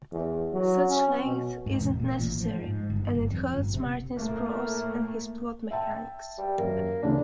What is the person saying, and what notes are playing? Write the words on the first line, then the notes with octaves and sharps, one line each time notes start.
Such length isn't necessary, and it hurts Martin's prose and his plot mechanics.
E2
F#3
C#4
B2
G#2
E1
A#2
A1
F3
G#2
G1
G1
F2
G1
C3
A2 A3 A#3
E5 G5 A5
G3
F#2 A#3
D2 C#3 E3 D4